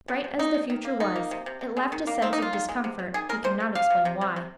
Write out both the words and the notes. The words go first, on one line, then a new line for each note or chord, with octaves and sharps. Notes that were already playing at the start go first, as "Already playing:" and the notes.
Bright as the future was, it left a sense of discomfort, he could not explain why.
C3
C3
C3 D#4
C3
D#3
A#3
D#3 D#4
A#3
C3
C3
C3
G#3
D#3
A#3
D#3 C4
D#4
A#3 F4
D#3
G#3
C3
C3
D#3 G#4
G#3 A#4
C3 C5
C3
C3 F5
C3
C3
C3
C3